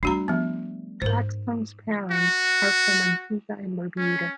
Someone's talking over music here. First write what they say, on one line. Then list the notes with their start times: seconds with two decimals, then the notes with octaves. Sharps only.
Claxton's parents are from Antigua and Barbuda.
0.03 G3 A3 D4 F#4 A#5
0.28 F3 B3
1.02 G#2 A#4 C5
2.11 F#4
3.97 C#4